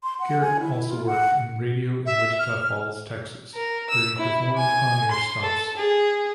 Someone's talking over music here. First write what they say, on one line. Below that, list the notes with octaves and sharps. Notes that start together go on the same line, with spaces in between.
Garrett also worked in radio in Wichita Falls, Texas, where he performed on-air stunts.
C6
F#5
G#5
E4
F4
F#5
E5
F6
A#4
E6
E4
G#5
C6
A4
G#4